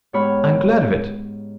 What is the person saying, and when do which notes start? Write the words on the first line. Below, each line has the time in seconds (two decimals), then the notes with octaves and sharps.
I am glad of it.
0.13 G#2 B3 G4 C#5 B5 F6